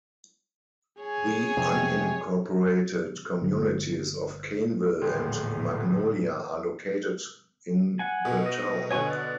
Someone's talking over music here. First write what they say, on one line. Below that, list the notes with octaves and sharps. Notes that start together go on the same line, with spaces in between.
The unincorporated communities of Cainville and Magnolia are located in the town.
G#4 C#5 G#5
F2 C3
G1
D#1 A#1 E2 A2 D3 G3 G#3
F#5 G#5
B2
D#5
B2 D3 C#5 G#5 C#6
D5 F#6